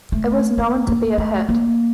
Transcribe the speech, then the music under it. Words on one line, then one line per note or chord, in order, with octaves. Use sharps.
It was known to be a hit.
A3
A#3
A#3
A3
A#3